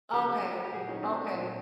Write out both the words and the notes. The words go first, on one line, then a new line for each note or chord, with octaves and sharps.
Okay, okay.
C#3 F3 G4 A4
F#4
G4
A#2 F#3 F#4 G#4
C#4 D#4
C4 D4
A#2 F#3